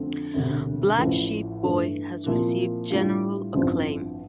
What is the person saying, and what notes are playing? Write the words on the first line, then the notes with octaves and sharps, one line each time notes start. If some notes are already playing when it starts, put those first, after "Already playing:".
"Black Sheep Boy" has received general acclaim.
Already playing: F2 D3 A3 C4
E1 D2 C3
A1 A2 F3
G2 E3 A3
A#2 F3 C4 E4
A2 G3 D4 F4
A1 G2 F3 C4 E4